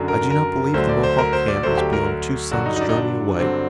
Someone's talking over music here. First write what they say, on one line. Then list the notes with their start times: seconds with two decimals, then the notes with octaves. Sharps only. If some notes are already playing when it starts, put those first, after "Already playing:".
I do not believe the Mohawk camp is beyond two suns' journey away.
Already playing: F#2 D3 F#3
0.08 A#4
0.31 A#4
0.74 D2 D3 F#3 C5
0.89 D5
1.03 C5
1.18 A#4
1.33 C5
1.48 D5
1.63 D2 D3 F#3 C5
1.78 G4
1.93 A#4
2.51 G2 D3 F#3 F#4
2.66 D#4
2.76 D#4
2.81 D4
2.89 D#4
2.96 D4
3.39 G2 D3 F#3 C4